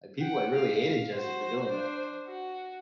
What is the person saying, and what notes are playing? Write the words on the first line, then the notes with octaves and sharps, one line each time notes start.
like, people, uh, really hated Jesse for doing that, though.
F#5 G5
F5
F#4 C5
D4 C5
F#4